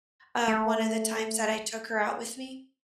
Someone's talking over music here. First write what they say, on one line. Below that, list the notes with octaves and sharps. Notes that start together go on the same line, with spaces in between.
um, one of the times that I took her out with me.
A3